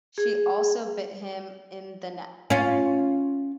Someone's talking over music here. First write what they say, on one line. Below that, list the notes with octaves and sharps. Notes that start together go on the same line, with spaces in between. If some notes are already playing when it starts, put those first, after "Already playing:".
She also bit him in the neck.
G#4
C#4 F4